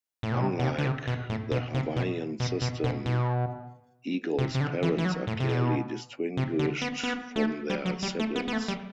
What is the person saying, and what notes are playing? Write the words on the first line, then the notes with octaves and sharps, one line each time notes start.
Unlike the Hawaiian system, Ego's parents are clearly distinguished from their siblings.
A2
B2
C3
B2
C3
D3
C3
B2
A2
B2
C3
B2
B2
B2
B2
B2
C3
C3
D3
E3
E3
F#3
A2
C3
B2
C3
D3
B3
B3
A3
G3
F#3
G3
A3
B3
B3
A3
G3